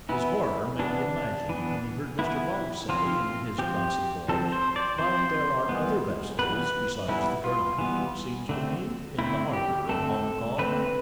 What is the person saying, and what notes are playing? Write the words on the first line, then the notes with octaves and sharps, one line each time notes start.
His horror may be imagined when he heard Mr. Fogg say, in his placid voice, "But there are other vessels besides the Carnatic, it seems to me, in the harbour of Hong Kong."
E3 B3 E4
E3 B3 D4
E3 B3
E3 B3 E4
F3 C4 F4
F3 C4 G4
F3 C4 A4
C5
D5
F3 C4 C5
E3 G3 B3
E3 G3 B3 B4
E3 G3 B3 E4
F4
E3 G3 B3
D3 A3 C4
D3 A3 C4 E4
G4
D3 A3 C4 A4
D3 A3 C4 B4